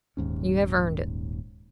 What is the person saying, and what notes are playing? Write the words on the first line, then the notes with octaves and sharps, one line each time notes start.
You have earned it.
D#1 D#2 G#2 C#4